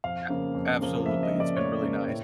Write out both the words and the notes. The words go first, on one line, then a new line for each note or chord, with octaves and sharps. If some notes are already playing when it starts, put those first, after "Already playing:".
A absolutely, it's been really nice.
F2 F5
C#3 F3 A#3
F2
C#3 F3 A#3
F2 E5
D#5
C#3 F3 A#3
D5
F2 C#5
C#3 F3 A#3
A2